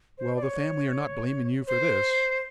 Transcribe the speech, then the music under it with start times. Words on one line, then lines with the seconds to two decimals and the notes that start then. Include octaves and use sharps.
"Well, the family are not blaming you for this."
0.18 C5
0.36 D5
0.43 C#5
1.68 C5